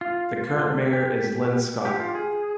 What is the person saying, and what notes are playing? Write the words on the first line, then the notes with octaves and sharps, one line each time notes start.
The current mayor is Lynn Scott.
F4
G4
G4
F4
G#4